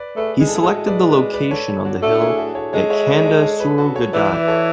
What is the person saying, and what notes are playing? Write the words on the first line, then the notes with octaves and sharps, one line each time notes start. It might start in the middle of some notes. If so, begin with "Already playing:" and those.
He selected the location on the hill at Kanda Surugadai.
Already playing: B4 D5
A3 G#4 B4
G#3 G#4
A4
E4 G#4
G#3 F#4 A4
B4 D5
B4 D5
B4 D5
A4 C#5
D4 F#4
A3 D4 F#4
E4 G#4
F#4 A4
A4 C#5
G#3 A4 C#5
C#5 E5
B4 D5
A4 C#5
A4 C#5
G#4 B4
F#4 A4
A4 C#5
E3 B4 D5
E5
B4 D5
A4 C#5